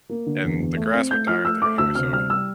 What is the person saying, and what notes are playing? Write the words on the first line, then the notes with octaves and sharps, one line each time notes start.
and the grass would die out there anyway so
A#3
D3
E2
E2
A3
C4
A3 G6
F3 F6
A3 E6
A3 D6
D2 E6
C3 F6
G3 F6
G3 E6